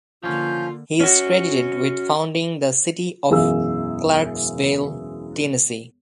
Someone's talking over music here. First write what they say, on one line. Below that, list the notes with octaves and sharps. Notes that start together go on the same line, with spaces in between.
He is credited with founding the city of Clarksville, Tennessee.
D3 F3 A#3 C#4 F4 G6
C#4 F#4
E1 F#2 E3 G#4 F5 E6